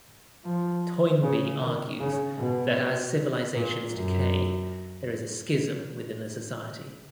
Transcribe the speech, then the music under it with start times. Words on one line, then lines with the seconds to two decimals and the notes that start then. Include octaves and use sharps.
Toynbee argues that as civilizations decay, there is a "schism" within the society.
0.45 F3
1.23 C#3
1.62 D#3
2.00 C#3
2.39 B2
3.55 A#2
3.94 F#2